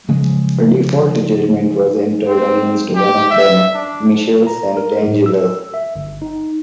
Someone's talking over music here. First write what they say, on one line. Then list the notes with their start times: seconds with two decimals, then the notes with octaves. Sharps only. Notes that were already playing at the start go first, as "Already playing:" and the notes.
A default judgment was entered against one of them, Michelle Santangelo.
0.09 C#3 F3 G#3
2.28 C4
2.95 G4
3.30 E5
3.74 D4
4.47 A#5
4.77 A#4
5.07 A2
5.26 E6
5.74 E5
5.96 G1
6.22 D#4